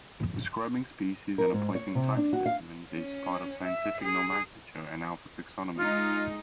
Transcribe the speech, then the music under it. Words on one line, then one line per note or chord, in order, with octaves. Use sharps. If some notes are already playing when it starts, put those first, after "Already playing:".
Describing species and appointing type specimens is part of scientific nomenclature and alpha taxonomy.
A#4
G#2
C#5
C3
D4
F#4
F5
C#4
E5
G#4
G#3 D#4 F4